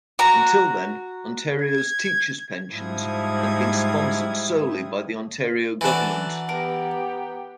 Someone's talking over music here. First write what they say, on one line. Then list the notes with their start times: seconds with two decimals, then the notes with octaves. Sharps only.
Until then, Ontario teachers' pensions had been sponsored solely by the Ontario government.
0.19 F#4 A#5
1.62 G#6
2.74 G#2 F3 G3 E4 D#6 G#6
5.81 E3 D4 F#4 A4 A#4
6.49 B3 G4 A#4